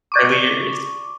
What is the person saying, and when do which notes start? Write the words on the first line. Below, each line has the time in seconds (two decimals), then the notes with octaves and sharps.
early years?
0.12 D5 C#6 D6